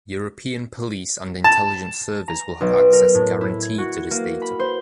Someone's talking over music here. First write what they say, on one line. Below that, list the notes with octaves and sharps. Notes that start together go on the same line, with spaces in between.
European police and Intelligent Service will have access guaranteed to this data.
A5
A#5
B1
A#4
A2
E4
G#6
F#4
A#3
B5
C5